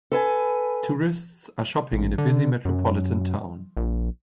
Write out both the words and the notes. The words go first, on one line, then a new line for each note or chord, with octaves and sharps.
Tourists are shopping in a busy metropolitan town.
A4 B4 G#5
A1
D3
F#2
A#1